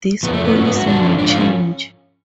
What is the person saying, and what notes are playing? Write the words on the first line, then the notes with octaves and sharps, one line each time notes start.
This policy may change.
F2 F3 B3
A3
B3
G#2 F#3 C#4
B3
F#4
F#2 D3 F3 D4
C#4
G#2 F3 D4
F4
C#4